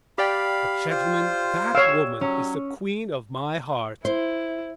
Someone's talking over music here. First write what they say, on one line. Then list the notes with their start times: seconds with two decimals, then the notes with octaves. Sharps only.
But, gentlemen, that woman is the queen of my heart.
0.18 G4 D5 F5 G5 B5
0.90 F4 C5
1.75 C#5 F5 E6 D7 E7
2.21 F#3 C#4
4.05 E4 C5